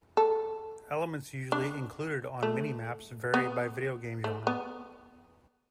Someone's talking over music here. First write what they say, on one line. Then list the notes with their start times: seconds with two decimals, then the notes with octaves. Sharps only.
Elements usually included on Mini-maps vary by video game genre.
0.17 A4
1.52 D4
2.43 A3
3.34 B3
4.24 A3
4.47 B3